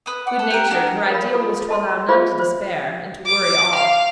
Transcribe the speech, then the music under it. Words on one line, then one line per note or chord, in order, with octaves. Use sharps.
Good-natured, her ideal was to allow none to despair, and to worry all.
B4 D#6
D5 F#5
A4
G4 A#4
D4 D#4 A#4
A#4 F5 B5
F4 A4
D#5 A5 C6
F4 G#4 C5 E5 F5 B5
C5
D6
F5